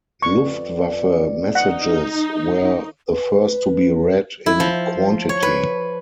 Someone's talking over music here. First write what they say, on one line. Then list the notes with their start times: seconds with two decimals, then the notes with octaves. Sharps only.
Luftwaffe messages were the first to be read in quantity.
0.22 F2 B4 D5 C#6
1.55 D#4 F#5
3.08 B4
4.46 E4
4.60 F3
5.29 C#5
5.42 B4